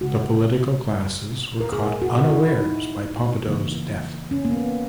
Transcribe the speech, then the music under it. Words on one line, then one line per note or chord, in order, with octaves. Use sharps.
The political classes were caught unawares by Pompidou's death.
C#3 G#3 F#4
A#4
A#2 A#3 G#4
F#4
F#4
E4
D#4
C#3 E3 A#3
C#4
A#3
B3